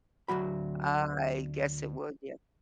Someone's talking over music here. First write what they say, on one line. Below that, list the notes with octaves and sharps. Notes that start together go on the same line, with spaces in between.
I guess it would, yeah.
D2 F#3 F#4 B5